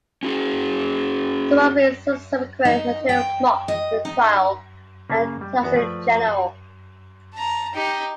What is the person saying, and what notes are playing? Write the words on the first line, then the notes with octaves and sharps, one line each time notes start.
Some of his subsequent material mocked the trial and tax in general.
C#4 F#4 G#4
D#4
G5
D#5
D#4
C#3 A#3
G3
E2 B3 F#4
F3 A3 B4 D5
A5 A#5
D#4 G4